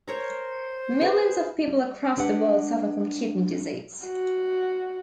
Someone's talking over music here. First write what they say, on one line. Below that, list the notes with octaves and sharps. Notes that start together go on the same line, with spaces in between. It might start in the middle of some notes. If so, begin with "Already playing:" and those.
Millions of people across the world suffer from kidney disease.
A#4 C5 C#5 A#5
G#4 B4
G3
G#3 D4 G4 B4 F#5
F#4